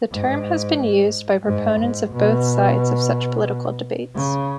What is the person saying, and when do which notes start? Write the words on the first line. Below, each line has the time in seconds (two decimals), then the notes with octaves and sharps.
The term has been used by proponents of both sides of such political debates.
0.11 G#2
1.46 G#2
1.80 G#2
2.13 B2
4.15 C#3